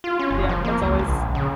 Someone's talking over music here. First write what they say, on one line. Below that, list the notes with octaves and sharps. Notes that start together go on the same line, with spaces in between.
Yep, it's always
F4
C#4
F#1
F3
A#3
C#2
A#1
C#3